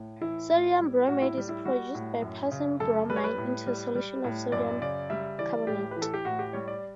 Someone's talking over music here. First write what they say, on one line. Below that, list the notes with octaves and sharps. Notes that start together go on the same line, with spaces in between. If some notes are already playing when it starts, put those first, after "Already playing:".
Sodium bromate is produced by passing bromine into a solution of sodium carbonate.
Already playing: A2
E3 E4
A2
G3
A2 F#4
E4
G3
E4
G3 F#4
A2
F#2
C#3
F#2 A4
G3 B4
C#5
B4
A2
G3
G3
A2
F#2 D5
C#3 D5
G3 E5
E3 D5
A2 G4
E3 B4
A4
G4
A2 F#4
G4
G3 C#5
D5